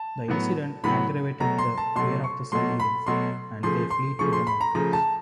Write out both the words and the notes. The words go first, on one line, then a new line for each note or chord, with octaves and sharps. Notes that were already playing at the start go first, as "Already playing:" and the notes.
The incident aggravated the fear of the civilians and they fled to the mountains.
Already playing: A5
A2 F#3 B3
A2 F#3 B3 B5
B2 F#3 A3 A#5
C6
A5
B2 F#3 A3 C6
C#6
B2 F#3 A3 C6
B5
B2 F#3 A3 C6
C#3 F3 A3 C6
C6
C#3 F3 A3 C#6
C6
B5
A#5
C#3 F3 A3 A#5
A5